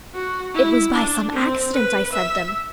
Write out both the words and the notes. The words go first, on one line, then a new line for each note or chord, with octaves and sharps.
It was by some accident I said them....
F#4
E4
D4
C4
B4
E5